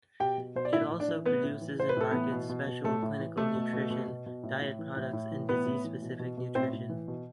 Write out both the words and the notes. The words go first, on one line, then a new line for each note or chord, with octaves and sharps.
It also produces and markets special clinical nutrition, diet products and disease-specific nutrition.
B2 G4 G5
B2
B2 C5
D5
A2 E4 E5
A2
D4 D5
E3
A2 B3 B4
A2
E3
A2 C5
B4
A2 A4
E3 B3 B4
B2
B2
B2
A2 A3 A4
A2
E3
B2 A3 A4
B2
B2
B2
B2
B2
A2
A2
E3
A2
A2
E3
A2 B3 B4
A2
E3
B2
B2
B2
A2 C4 C5
A2
E3
B2